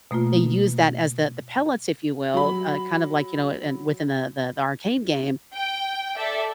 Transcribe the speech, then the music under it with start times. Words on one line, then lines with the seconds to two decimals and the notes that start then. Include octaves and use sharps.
they use that as the the pellets, if you will, uh, kind of, like, you know, in within the the the Arcade game,
0.11 B2 A3 A#3 F4
2.34 F#3 B5
5.53 G5
6.15 A4 D5 E5